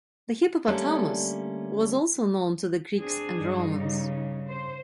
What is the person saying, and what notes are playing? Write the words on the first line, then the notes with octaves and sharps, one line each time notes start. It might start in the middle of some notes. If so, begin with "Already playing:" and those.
The hippopotamus was also known to the Greeks and Romans.
D3 G3 A3 A#3 C#4
C4 D4 G#4
G2 G3 D#4
C#3
C5